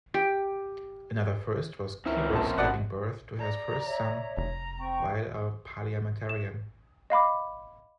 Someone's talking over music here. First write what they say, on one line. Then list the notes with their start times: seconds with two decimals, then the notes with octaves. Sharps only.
Another first was Kyburz giving birth to her first son while a parliamentarian.
0.14 G4
2.06 C#2 C4 C#4 E4 A#4
2.33 A#1 A5
2.58 B2 D5 F#5
3.39 D5 A#5
3.84 C#5 E5
4.37 F1 A#5
4.79 C4 G5 C#6
6.29 E7
7.10 D#5 F5 B5 D6